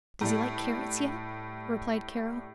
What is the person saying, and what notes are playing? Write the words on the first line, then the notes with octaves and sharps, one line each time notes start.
"Does he like carrots yet?" replied Carol.
A2 G3